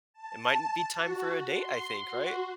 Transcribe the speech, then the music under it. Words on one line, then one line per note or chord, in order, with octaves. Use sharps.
it mightn't be time for a date, I think. Right?
A5
F#4
C6
F#4